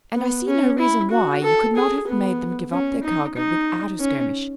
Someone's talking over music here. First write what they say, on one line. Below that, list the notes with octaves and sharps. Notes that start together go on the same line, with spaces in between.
And I see no reason why you could not have made them give up their cargo without a skirmish.
B3
C#4
E4
F#4
A4
G#4
B3
C#4
D#4
D#4
C#4